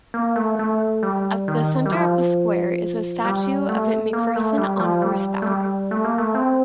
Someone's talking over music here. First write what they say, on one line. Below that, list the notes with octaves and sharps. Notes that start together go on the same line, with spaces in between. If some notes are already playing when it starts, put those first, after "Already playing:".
At the center of the square is a statue of McPherson on horseback.
A#3
A3
A3
G3
D#3
G3
F3
G3
A3
A#3
A3
G3
F3
G3
A3
G3
A3
A#3
A3
C4